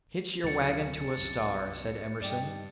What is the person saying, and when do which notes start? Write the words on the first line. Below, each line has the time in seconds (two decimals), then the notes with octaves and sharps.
"Hitch your wagon to a star," said Emerson.
0.43 D2 B2 D3 F#3 A3 A6 C#7
1.18 C2 F#2
2.22 G2 G3 D#4 G4 D5